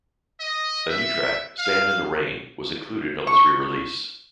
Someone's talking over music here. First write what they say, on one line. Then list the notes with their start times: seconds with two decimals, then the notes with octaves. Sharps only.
A new track, "Stand in the Rain", was included on this re-release.
0.41 D#5
0.90 E5
1.59 F5
3.27 C#6